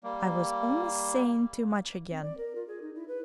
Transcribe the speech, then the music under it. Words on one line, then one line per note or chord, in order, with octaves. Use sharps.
I was almost saying too much again.
G3 A#3
C4
D5
A#4
F4
G#4
D#4
E4
B4